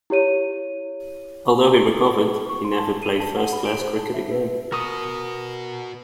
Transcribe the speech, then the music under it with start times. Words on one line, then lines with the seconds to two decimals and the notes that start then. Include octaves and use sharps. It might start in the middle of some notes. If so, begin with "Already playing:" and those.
Although he recovered, he never played first-class cricket again.
0.10 E4 G4 C#5 D#7
2.49 C#6
2.65 C6
2.79 A5
3.03 D#7
3.20 A5
3.37 F#5
3.53 B5
3.65 D7
3.81 C5
3.99 A5
4.14 E5
4.32 B4
4.72 F#4 A#4 B4 C#6 D#6